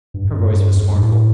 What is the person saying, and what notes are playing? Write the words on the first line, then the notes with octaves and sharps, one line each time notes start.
Her voice was scornful.
G2
F#2
G2
E2
F#2
G2
A2